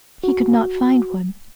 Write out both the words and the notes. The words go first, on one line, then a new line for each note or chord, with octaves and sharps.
He could not find one.
F#4